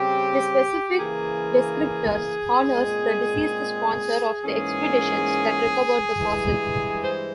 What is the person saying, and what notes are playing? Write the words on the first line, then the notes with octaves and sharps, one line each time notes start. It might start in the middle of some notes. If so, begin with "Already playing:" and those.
The specific descriptor honours the deceased sponsor of the expeditions that recovered the fossil.
Already playing: C#3 G3 C4 G4
C#3 E3 A#3 G#4
A#2 G#3 C4
G#2 E3 A#3 C#4 G#4
G2 E3 G#3
C5